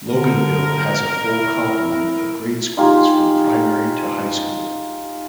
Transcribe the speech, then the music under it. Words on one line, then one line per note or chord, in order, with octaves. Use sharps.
Loganville has a full complement of grade schools from primary to high school.
D3 A#4
E4
D#4 F4 G4 G#4